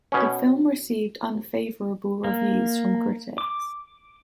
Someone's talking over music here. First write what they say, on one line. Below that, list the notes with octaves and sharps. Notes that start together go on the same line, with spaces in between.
The film received unfavorable reviews from critics.
B2 C#4
A#3
D6